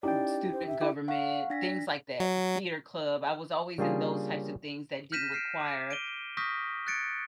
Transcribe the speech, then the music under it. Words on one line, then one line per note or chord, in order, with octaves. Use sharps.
m student government, things like that theater club, I was always in those types of things that didn't require
C#4 D#4 E4 G4 D5 G5
C5
E5
E4 G4
F5 F#5 C#6
D4 A#6 B6
F#3
C#3 G3 A#3 D4 F4 G#4
F6 G6 A#6 B6 D#7 E7
F6 C7 D7
D6
D7 D#7 G7
C#6 D#6 F6 G6 A#6 B6
F#6 G#6 A6 C#7 D7